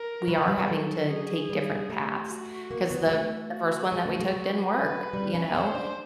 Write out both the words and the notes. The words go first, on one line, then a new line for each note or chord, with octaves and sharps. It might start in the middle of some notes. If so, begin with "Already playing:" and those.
we are having to take different paths, 'cause the the first one that we took didn't work, you know?
Already playing: A#4
F#3 B4
F3
G3
G3
F#3 A4
G#4
G3
A3 G4
F#4
A#3
B3
G#3
A3
F#4
G#3
A3
G#3
F#3
B4
G3
C#4
C#4 C5
D4